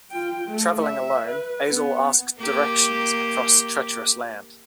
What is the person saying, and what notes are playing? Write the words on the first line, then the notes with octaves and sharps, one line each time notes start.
Travelling alone, Azel asks directions across treacherous land.
F4 G5
A3
E5
B4
B3
A#3 G4